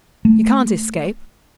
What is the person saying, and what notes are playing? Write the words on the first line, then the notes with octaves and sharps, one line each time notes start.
You can't escape.
A3